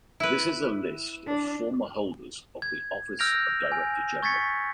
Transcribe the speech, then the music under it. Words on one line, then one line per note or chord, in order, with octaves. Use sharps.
This is a list of former holders of the office of director-general.
E4 B4
D4
G#6
E6 F6 G6 A#6 D7 F7
G#5
C#6 G#6 A6 B6 C#7